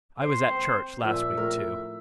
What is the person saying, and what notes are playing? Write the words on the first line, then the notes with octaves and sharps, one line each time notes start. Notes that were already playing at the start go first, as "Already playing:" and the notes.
I was at church last week, too...
C5
C4
A#2 F3 E5
A2 A#4